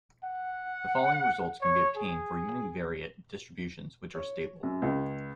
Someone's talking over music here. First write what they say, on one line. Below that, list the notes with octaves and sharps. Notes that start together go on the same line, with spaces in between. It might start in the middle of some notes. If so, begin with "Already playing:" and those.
The following results can be obtained for univariate distributions which are stable.
F#5
C#5
G#4
C#5
F#2
C#2